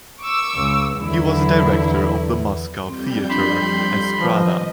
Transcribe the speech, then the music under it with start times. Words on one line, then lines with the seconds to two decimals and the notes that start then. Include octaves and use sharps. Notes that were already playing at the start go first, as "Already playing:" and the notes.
He was a director of the Moscow theatre "Estrada".
0.21 C#6 D6 E6
0.55 C#2
0.99 E2 D3 F#3 E4
2.88 F2 G3 C4 G6
3.30 D4 B5 C6
4.17 D#3 F3 G3 B4 D#5